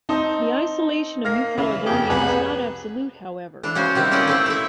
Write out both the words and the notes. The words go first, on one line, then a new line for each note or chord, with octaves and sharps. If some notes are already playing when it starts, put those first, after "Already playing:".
The isolation of New Caledonia was not absolute, however.
C4 D#4 A5
A#3 F6 A#6 C7
C#3 E3
F2 G4 G#4
C2 B3 B4 G#5
E3 D4
C#3 C#4 F#4 C5
C3 D#3 G3 E4
A#3 C#4 E4 B4 D5 D#5
A3 C4 A4
E4 E5